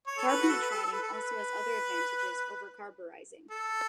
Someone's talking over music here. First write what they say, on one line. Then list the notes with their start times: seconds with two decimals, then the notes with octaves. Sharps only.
Carbonitriding also has other advantages over carburizing.
0.06 C#5
0.17 A4
0.28 B4
0.41 F#4
0.49 A4
0.62 B4
0.71 A4
0.92 B4
1.02 A4
1.12 B4
3.51 A4